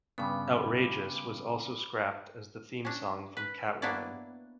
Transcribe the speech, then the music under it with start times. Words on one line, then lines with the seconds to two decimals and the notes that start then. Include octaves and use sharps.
"Outrageous" was also scrapped as the theme song from "Catwoman".
0.18 G2 C#3 B3 B5 D6
2.85 C#4 D4
3.37 B4
3.82 A#3 B3 D4 E4 C#5 D5